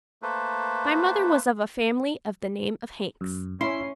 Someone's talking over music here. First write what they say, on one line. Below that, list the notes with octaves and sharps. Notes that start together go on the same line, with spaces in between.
My mother was of a family of the name of Hanks.
A3 A#3 A4 B4 C5
F#2
C#4 E4 C6 C7